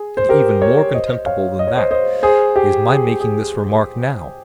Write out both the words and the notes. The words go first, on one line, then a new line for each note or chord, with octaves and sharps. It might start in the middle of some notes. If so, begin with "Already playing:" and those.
And even more contemptible than that is my making this remark now.
Already playing: G#4
C5
G4 A#4
A#4 C#5
C5 D#5
C#5 F5
D#5
C#5
C5 D#5
C5 D#5
G#4 C5
G4
G#4
G#4